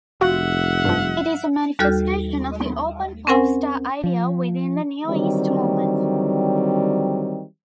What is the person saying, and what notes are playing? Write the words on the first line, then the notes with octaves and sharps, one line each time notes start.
It is a manifestation of the "open pop star" idea within the Neoist movement.
F1 F4 F#4 E5 F#5
G2 F3
D#2 G3 F#4 A4 F6 G6
C4 C#4 A#4 C5 F#5 G#5
F3
D3 D#3 F#3 G3 C4